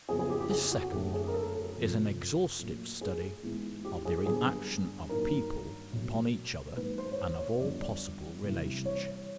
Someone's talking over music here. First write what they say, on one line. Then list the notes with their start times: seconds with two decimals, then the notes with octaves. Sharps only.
This second is an exhaustive study of the reaction of people upon each other and of all possible relationships.
0.09 F2 C#3 F#3 B3 G#4
0.19 G#4
0.30 G4
0.40 G4
0.50 G#4
0.72 F#4
0.92 F#2 D3 F#3 A3 G4
1.13 G#4
1.28 A#4
1.34 A4
1.55 A4
1.76 F2 C3 F3
2.59 A#2 F#3 A3
3.01 G#4
3.43 G#2 E3 G#3 B3
3.85 G4
4.05 G#4
4.26 G2 D3 G3 B3 G#4
5.09 G2 D#3 F#3 A#3 A#4
5.93 B2 F#3 A3
6.77 G#2 D#3 F#3 A#3 B4
6.98 C5
7.12 C#5
7.18 C5
7.39 C#5
7.60 F2 D3 G3 B3 D5
7.82 D5
8.44 C3 E3 G3
8.85 C#5